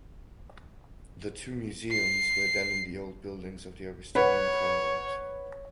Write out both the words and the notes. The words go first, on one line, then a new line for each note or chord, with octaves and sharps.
The two museums were then in the old buildings of the Augustinian convent.
C7
B4 C#5 F#5 B5